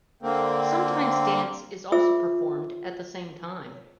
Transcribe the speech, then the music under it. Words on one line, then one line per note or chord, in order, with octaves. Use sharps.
Sometimes dance is also performed at the same time.
D3 A#3 C4
F4 G#4 C5 E5 E6